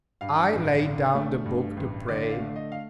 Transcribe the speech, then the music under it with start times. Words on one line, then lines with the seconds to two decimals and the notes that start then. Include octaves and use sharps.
I laid down the book, to pray.
0.21 G2 F5
0.53 A1
0.84 D3
1.15 A3
1.46 G2
1.77 A1
2.08 D3 D5
2.31 F5
2.40 A3
2.56 D#5
2.72 F5